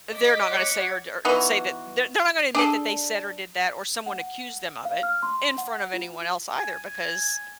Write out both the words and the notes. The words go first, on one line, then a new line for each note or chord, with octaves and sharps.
they're not gonna a say or d or say that they're they're not gonna admit that they said or did that or someone accused them of it in front of anyone else either because,
D#5 D6 B6
C#5 F#5
E3 B3 D#4 F#4
D4 G#4 A4
F#5
F5
F6
C6
F#5
F4
G#5